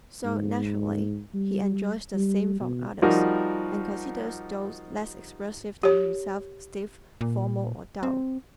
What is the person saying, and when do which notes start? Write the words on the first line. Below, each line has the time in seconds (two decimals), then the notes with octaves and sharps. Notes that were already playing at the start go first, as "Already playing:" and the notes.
So, naturally, he enjoys the same from others and considers those less expressive than himself stiff, formal or dull.
0.25 G#2
1.34 G3
2.15 G3
2.60 B2
3.02 F3 G3 D#4 F#4 G4 A#4
5.83 G4 C#5
7.21 A#2
8.03 C4